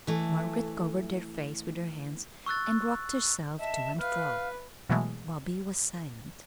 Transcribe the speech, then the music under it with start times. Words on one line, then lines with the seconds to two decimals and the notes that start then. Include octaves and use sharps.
Margaret covered her face with her hands and rocked herself to and fro. Bobby was silent.
0.07 E3 A3
2.46 C#6 E6 F#6 A6
3.60 D#5 E5 A5
3.99 B4 F5 F6
4.89 B2 E3 F#3 G#3 A3